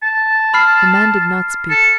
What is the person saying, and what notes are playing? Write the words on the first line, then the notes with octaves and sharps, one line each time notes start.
The man did not speak.
A5
B5 F6 C7
A4